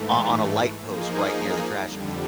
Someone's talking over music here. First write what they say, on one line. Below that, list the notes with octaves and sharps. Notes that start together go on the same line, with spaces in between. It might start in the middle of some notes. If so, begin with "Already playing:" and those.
o on a light post right near the trash can
Already playing: G#2 E3 A3
F3 A#3 D#4 G#4
F2 D3 G3